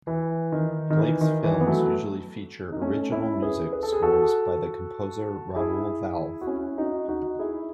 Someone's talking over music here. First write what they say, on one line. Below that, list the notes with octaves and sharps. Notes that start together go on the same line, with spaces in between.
Blake's films usually feature original music scores by the composer Raoul Valve.
E3
D#3
D#3
E3
D#3
E3
B3
F#3 A3
D#4
A3 C#4
C#4 E4
G#4 B4
B4
A4
G#4
F#4 A4
E4 G#4
F#4
C#4 E4
D#4 F#4
D#4 F#4
E4 G#4